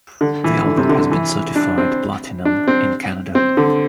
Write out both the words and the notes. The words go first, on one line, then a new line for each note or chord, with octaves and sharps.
The album has been certified platinum in Canada.
D3
E3
D3
C3
D3
D3
E3
D4
C4
D4
C4
C4
D3